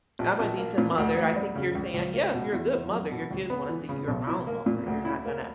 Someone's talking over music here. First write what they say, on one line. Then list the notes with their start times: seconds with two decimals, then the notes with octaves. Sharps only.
I'm a decent mother. I think you're saying, "Yeah, if you're a good mother, your kids wanna see you around longer," they're not gonna
0.19 A#1
0.40 A#1
0.58 A#3
0.78 A#2
0.98 D2
1.16 D2
1.36 G3
1.55 C#3
1.75 C#2
1.94 C#2
2.13 A#3
2.34 B2
2.52 E2
2.72 E2
2.91 F#3
3.12 B2
3.31 C#2
3.50 B3
3.69 E3
3.89 C#3
4.08 B1
4.27 E4
4.47 A#3
4.66 A#2
4.86 D2
5.05 E4
5.25 A#3